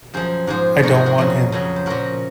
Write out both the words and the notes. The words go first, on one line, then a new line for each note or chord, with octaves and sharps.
I don't want him.
F#2 F3 G#4 C5
G#2 F3 G#4 C5
G#2 F3 A#4 C#5
G#4 C5
F#4 A#4
F2 C#3 F#3
F2 C#3 F#3
C5
A#2 F3 F#4 A#4